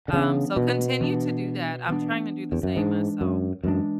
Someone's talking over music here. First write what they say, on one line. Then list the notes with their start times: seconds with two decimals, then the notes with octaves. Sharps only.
um, so continue to do that. I'm trying to do the same myself.
0.08 D3
0.13 C#3 E3 B3 D4
0.56 B2
1.01 E3 B3 D4
1.89 E3 B3 D4
2.52 E2
2.63 F#2
2.76 G#2 E3 G#3 D4
3.21 F#2
3.64 F#2 E3 G#3 D4